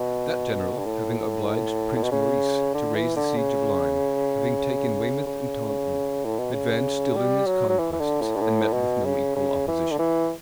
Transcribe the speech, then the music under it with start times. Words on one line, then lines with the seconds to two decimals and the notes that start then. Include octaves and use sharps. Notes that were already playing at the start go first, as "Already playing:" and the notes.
That general, having obliged Prince Maurice to raise the siege of Lyme, having taken Weymouth and Taunton, advanced still in his conquests, and met with no equal opposition.
Already playing: B2
0.78 G2
0.85 A2
1.96 A2
2.03 B2
2.12 C#3
2.74 D3
2.95 E3
3.16 D3
3.37 C#3
5.26 C#3
6.25 A2
6.39 B2
6.53 C#3
7.16 G3
7.47 F#3
7.69 F#3
7.79 E3
7.93 E3
8.00 D3
8.21 A2
8.36 G2
8.41 A2
8.73 B2
9.05 C#3
9.36 C#3
9.68 E3
9.91 D3
9.99 E3